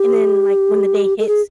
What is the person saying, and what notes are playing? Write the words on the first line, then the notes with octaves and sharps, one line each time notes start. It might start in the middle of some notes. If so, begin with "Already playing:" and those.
and then, like, when the day hits
Already playing: G4
A4
G#4